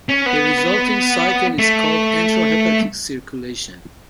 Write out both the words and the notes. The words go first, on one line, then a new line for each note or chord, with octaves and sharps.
The resulting cycle is called enterohepatic circulation.
C#4
B3
A3